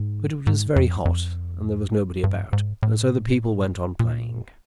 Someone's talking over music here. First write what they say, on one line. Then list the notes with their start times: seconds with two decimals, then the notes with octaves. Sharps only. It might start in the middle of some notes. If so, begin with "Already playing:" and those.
But it was very hot, and there was nobody about, and so the people went on playing.
Already playing: G#2
0.47 G#2
0.76 F2
1.05 F2
2.24 G2
2.53 G#2
2.83 A2
4.00 A#2